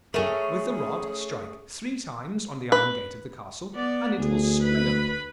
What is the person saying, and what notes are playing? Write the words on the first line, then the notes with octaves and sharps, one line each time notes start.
With the rod strike three times on the iron gate of the castle, and it will spring open.
A3 C#4 G#4 A#4 E5
B4
B3 D5
D2 G#4
B4 B5